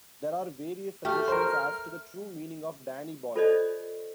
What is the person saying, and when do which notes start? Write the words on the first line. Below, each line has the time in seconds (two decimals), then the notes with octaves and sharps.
There are various suggestions as to the true meaning of "Danny Boy".
1.05 A3 G4 F6
1.28 A#4 C5
3.36 F4 A4 C5 D5 D#5